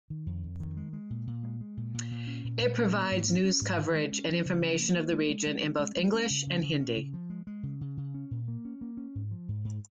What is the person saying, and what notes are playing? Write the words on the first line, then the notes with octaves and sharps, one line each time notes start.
It provides news coverage and information of the region in both English and Hindi.
D#3
F2
F2
D#3
G#3
G#3
A#2
A#2
G#3
G#3
A#2
A#2
A#2
C#4
A#2
A#2
C#4
A#3
G#2
C#4
C#4
G#2
D#3
G#3
C#4
F3
C#3
F3
A#3
A#3
G#3
G#3
G#3
C#4
G#3
G#3
C#4
C#3
C#3
C#3
C#4
C#3
F3
G#3
G#3
C#3
C#3
C#3
C#4
A#2
A#3
C#4
A#3
C#4
G#2
F3
G#2
G#2